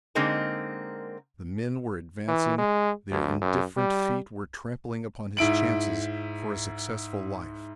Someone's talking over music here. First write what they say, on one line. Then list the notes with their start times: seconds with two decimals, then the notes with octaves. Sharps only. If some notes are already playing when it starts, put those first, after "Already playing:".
If the men were advancing, their indifferent feet were trampling upon his chances for a successful life.
0.15 D3 G#3 A#3 C4 D#4 A#4
2.28 E3
2.58 G#3
3.11 D2
3.41 F#2
3.77 G3
5.37 G#2 E4 D7 F#7